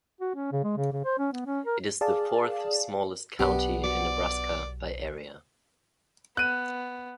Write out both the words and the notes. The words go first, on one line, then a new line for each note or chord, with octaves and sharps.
It is the fourth-smallest county in Nebraska by area.
F#4
C#4
C#3
G#3
C#3
C#3
C5
C#4
B3
C#4
A#4
G#4 D5 F5 A5
B1 B3 D4 G4
F#4 D5
B3 F#6 D#7